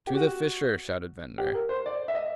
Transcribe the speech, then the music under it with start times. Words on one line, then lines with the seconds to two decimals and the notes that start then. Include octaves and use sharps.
"To the fissure!" shouted Ventnor.
0.07 G4
0.14 F#4
1.38 G4
1.54 A#4
1.69 C5
1.86 D5
2.08 E5
2.15 D#5